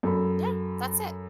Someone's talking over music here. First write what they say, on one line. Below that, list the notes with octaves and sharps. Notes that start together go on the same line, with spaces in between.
Yeah, that's it.
F#2 A4 B5